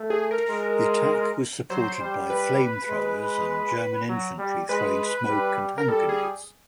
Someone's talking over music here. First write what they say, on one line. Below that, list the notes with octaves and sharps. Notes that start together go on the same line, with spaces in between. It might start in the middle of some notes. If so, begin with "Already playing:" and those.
The attack was supported by flame-throwers and German infantry throwing smoke- and hand-grenades.
Already playing: A3
G#4
A#4
G#3
F#3 C5
G3
B4
G#3
F#3
G3
G#3 B4
G3
A#4
G3 A4
G#4